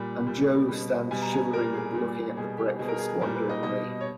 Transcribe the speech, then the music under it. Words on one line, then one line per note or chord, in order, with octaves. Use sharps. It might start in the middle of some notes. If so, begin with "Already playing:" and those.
And Jo stands shivering and looking at the breakfast wonderingly.
Already playing: A#2 G3 B5
A#2 G3
B2 G3
B2 G3 G#5
A#5
G#5
A#2 G3 A#4
G#4
A#2 G3
B2 G3 G#4
G4
B2 G3 G#4
A#4
G#4
A#2 G3 A#4
B4
D#5
B2 G3 D#5
C#5